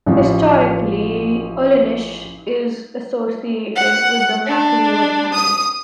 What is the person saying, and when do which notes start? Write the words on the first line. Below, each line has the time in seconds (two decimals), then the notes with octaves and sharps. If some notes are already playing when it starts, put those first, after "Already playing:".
Historically, Ullinish is associated with the MacLeod family.
0.06 A1 C#3 F3
3.75 F#5
4.46 D4
5.34 D#6